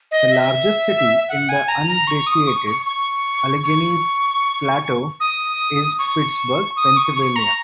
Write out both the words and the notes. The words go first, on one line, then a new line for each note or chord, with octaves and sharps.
The largest city in the Unglaciated Allegheny Plateau is Pittsburgh, Pennsylvania.
D#5
E5
F#5
G#5
A#5
A#5
C#6
D#6
C#6
C#6
C#6
C#6
D#6
C#6
D#6
C#6
C#6
A#5